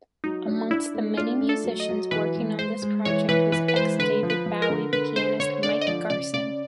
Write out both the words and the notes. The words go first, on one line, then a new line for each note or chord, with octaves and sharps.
Amongst the many musicians working on this project was ex-David Bowie pianist Mike Garson.
F#3 D#4
D4
D4 E4
A3
D4 F4
A3
A4
F#3
D#5
F#3
E3 B4
G#3
G#3 C5
G#3
E3 C#5
E3 B4
E3 B4
B4
G#3 C5
D3 B4
F3
B4
F3
A#4
D3
D3 B4
D3 C5
D3 C#5
D3 D5
D#5
F3 D5
C#3 D5
C#3 D5